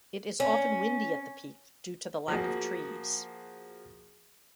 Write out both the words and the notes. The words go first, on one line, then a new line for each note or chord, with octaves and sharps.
It is often windy at the peak, due to the lack of trees.
C#4
F3 A#3 F#4 G#4